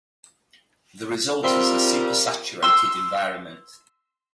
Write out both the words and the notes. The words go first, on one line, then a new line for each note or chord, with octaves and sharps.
The result is a supersaturated environment.
G3 C4 F4 A#4 E5 C6
C6 E6